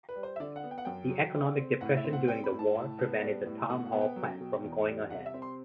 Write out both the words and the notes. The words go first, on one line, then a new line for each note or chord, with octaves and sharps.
The economic depression during the war prevented the town hall plan from going ahead.
B4
G3
C5
E5
D3 D5
F#5
B3
G5
F#5
F#2 G5
F#3
D3
C4
A2 F#5
E5
C4
F#5
G3 G5
B5
A2
A5
A2
B3
G3
A2
B2 F#5
F#5
B3
G5
F#3
B2
E2
G3
C3 F#5
E5
C4
C6